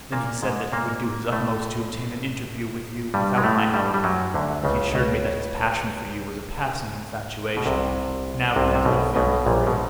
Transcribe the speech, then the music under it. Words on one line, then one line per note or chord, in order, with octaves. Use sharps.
Then he said that he would do his utmost to obtain an interview with you without my help. He assured me that his passion for you was a passing infatuation, now he has no feeling for you.
A#2 A#3
G#2 G#3
A#2 A#3
A2 A3
G2 G3
G#3
A2 A3
G2 G3
G3
F#2 F#3
D2 D3
C#2 C#3
C#2 C#3
B2
C2 C3
C2 C3
C3
B1 B2
B1 B2
A#1 A#2
B2